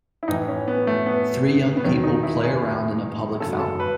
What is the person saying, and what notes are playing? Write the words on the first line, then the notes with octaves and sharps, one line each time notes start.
Three young people play around in a public fountain.
E4
A2 E3 D#4
C#4
B3
A3
B3
B3
E2 D#3 F#3 C#4
D#4
E4
G#4
F#2 C#3 F#3 A4
A4
B4